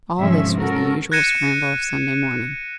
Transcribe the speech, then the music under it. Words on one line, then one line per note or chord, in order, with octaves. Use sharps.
All this was the usual scramble of Sunday morning.
G#2 C3 F3 A3 C#4 E5
C#4 F#4 A4 A#4
F#6 G#6 A#6 C#7 D#7 E7